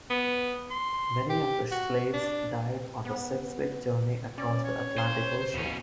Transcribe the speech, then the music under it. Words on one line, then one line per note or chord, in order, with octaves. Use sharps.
Many of the slaves died on the six-week journey across the Atlantic Ocean.
B3
C6
G4
F#4
D4
B3
C#4 D5
C#5
C5
D#2 B2 C#4